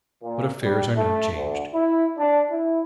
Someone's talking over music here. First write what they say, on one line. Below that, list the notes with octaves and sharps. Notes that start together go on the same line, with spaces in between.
But affairs are now changed.
A#2
G3
A3
D2
E4
D4
E4